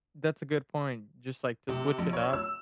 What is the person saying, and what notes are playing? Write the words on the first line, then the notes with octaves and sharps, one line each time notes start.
That's a good point. Just, like, to switch it up.
C3
A#1
C#5
E6